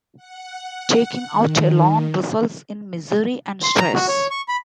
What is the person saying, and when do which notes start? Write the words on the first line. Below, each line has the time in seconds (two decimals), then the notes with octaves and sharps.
Taking out a loan results in misery and stress.
0.17 F#5
1.31 D#3
3.63 C6
3.79 A#5
3.94 F#4
4.08 C#5
4.31 C#6
4.48 B5